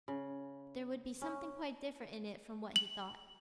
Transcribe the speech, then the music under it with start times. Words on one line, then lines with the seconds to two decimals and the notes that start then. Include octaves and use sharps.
There would be something quite different in it from what he thought.
0.08 C#3
1.22 C#4
2.76 F#7